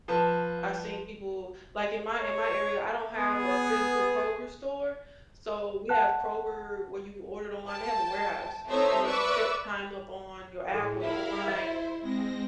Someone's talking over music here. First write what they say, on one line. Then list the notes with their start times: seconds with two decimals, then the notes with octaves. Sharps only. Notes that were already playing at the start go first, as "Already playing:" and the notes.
I've seen people like, in my in my area, I don't have a physical Kroger store, so, we have Kroger where you order it online they have a warehouse, and then you set the time up on your app or your online
0.08 F3 B4 A5
2.19 C#5
3.15 B3 G#4
5.89 F#5 A5 F#6
7.68 G5 A5
8.68 A3 C4 D#4 C5 C#5 E5
9.06 B4 D5 E5 C#6 D6 E6
10.71 A2 G#4 G5
11.02 E4 A#4 F5 B5
11.48 C5 D#5
12.01 G#3 C4 A#6